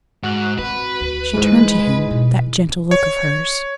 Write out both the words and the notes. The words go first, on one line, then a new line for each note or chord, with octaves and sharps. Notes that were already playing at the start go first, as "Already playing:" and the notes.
She turned to him that gentle look of hers.
G#2 F#4 F#6
C4 B4
D2
G#2 E3 G#3
B2
C#5